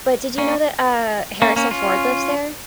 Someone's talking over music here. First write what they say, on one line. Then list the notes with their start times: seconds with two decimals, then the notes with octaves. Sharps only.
but did you know that, uh, Harrison Ford lives there?
0.38 A#3 C#4
1.42 A#3 C#4
1.56 A#3 C#4
1.71 C#4 F4